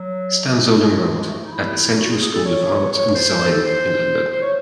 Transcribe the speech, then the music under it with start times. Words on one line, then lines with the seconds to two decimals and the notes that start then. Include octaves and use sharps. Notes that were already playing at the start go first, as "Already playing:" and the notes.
Stanshall enrolled at the Central School of Art and Design in London.
Already playing: F#3
0.58 G#3
1.16 G#3
1.28 A3
1.45 D#4
1.51 E4
1.98 F#4
2.11 G#4
2.22 G#4
2.33 A4
2.45 C#5
2.92 C#5
3.15 C5
3.39 C5
3.51 A4
3.64 C5
4.32 C5
4.42 C#5